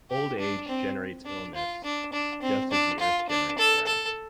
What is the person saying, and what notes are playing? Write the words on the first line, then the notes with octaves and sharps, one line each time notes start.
Old age generates illness just as the earth generates grass.
G4
D4
C4
D4
F4
D4
D4
C4
D4
F4
D4
A4
A4